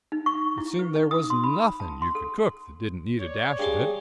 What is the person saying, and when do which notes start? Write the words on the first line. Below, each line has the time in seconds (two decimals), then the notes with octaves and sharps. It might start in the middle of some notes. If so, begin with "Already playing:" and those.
It seemed there was nothing you could cook that didn't need a dash of it.
0.12 D#4
0.26 C#6
0.58 E4
0.79 B4
0.95 D#4
1.11 D#6
1.30 C6
1.44 B5
1.80 A5
2.02 C6
2.15 A4
3.20 C#5 D5
3.59 G2 G#4 C6 D6